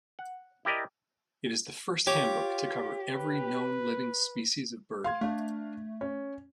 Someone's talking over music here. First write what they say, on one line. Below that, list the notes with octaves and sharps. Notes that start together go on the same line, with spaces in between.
It is the first handbook to cover every known living species of bird.
F#5
E4 G4 A#4 D5 D#5
F4 G4 C#5 D6
B4
F5 C6 G#6
A3 D4 F5
C#4